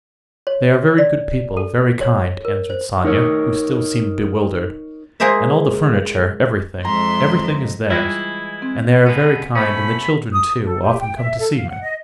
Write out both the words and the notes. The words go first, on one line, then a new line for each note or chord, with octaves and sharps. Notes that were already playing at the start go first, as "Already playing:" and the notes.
"They are very good people, very kind," answered Sonia, who still seemed bewildered, "and all the furniture, everything... everything is theirs. And they are very kind and the children, too, often come to see me."
C#5
D5
A4
C#5
A#4
C5
D#4 A#4 C#5
G#3 A#3 G#4 C5 D#5 E5
F2 G#3 E5 A#5 C6
E3 G3 G#3 E4 F4
C4
D3 G#3 B3
B2 A3 C#4 C5 B5
D#6
A4
G4
G5
E5
A4
F5
F#5
D#5